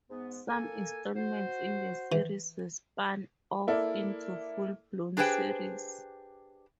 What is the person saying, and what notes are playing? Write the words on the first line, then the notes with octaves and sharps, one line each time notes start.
Some installments in the series were spun off into full-blown series.
G#2 B3
A#3 A4 G#5
F#4 C5
E3
A#3 E4 A4 D5
D4 G4 G#4 B4 C5 G5